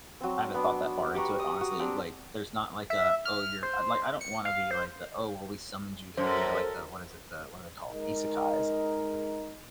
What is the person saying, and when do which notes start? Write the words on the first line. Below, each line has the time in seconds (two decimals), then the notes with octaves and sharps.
I haven't thought that far into it, honestly, like, there's not like a, "Oh, you're" like, I don't wanna be like the, "Oh, well, we summoned you here," like the what is it the what are they call- isekais?
0.21 F#3 C4
0.54 B3 D4
1.15 G4 F#5 A#5 C#6
1.39 D#6
1.61 F#4
1.79 C4 D4 G4
2.90 E5
3.25 F6
3.63 C5
4.21 C#7
4.45 F5
4.71 C5
6.18 F#2 A4 A#4 C5
7.91 G#3 D#4 A#4 D#5